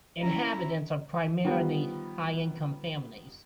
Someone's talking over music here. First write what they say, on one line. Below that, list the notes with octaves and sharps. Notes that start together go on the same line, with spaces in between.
Inhabitants are primarily high income families.
C#4 E4 A#5
D#3 F3 G3 B3